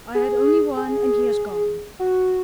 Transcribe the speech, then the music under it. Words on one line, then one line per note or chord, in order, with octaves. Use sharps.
I had only one, and he has gone.
G#4
G#4
F#4